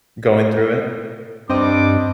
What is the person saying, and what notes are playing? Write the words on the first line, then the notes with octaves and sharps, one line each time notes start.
Going through it?
G2 G3 C4 D4 D#5 D6